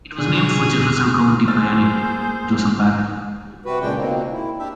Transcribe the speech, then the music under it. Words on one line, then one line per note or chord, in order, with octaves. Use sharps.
It was named for Jefferson County pioneer, Joseph Barnett.
B2 D3 D4 G#4
A#3 G#4 C5 E6 F6 A6
C3 G3 F#4 B4
A#2 C#3 G#3 D4 G5
B2 D#3 A#3 C4
E4
D4 G4 E5